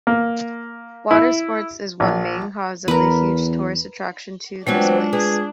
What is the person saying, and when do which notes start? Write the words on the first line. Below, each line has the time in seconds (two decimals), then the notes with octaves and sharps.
Water Sports is one main cause of the huge tourist attraction to this place.
0.07 A#3
1.11 E4
2.00 A#1
2.88 E2 A#4 B4
4.67 E3 F#3 G#3 B3 C4 D4 F4
5.13 B3 G#4